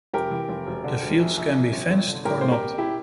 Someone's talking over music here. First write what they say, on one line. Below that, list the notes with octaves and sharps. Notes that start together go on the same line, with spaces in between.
The fields can be fenced or not.
F1 G4 A#4
E3
F1
E1
D3
E1
A#1
A#1
A#1
G1
G1
D3
A2 G4 A#4
A1 C5
G4 A#4
A1
E4 G4